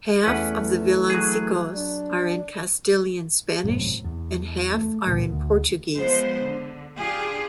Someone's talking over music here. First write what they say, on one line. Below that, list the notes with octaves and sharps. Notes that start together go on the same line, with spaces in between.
Half of the villancicos are in Castilian Spanish, and half are in Portuguese.
E2 E3 A3 C#4 B4
F#3 G#4
D4
G#1 F#2 A2 C3
E2
A3
C#2 A#2 D3 D#3
D2
F3 G#3 B3 C5
D3
D4 F4 G4 G#4